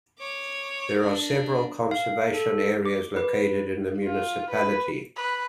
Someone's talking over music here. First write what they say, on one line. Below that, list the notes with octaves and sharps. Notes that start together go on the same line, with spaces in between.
There are several conservation areas located in the municipality.
C#5 D6
D4 A#4
F5
A4
D6
B4
F4
B4
B4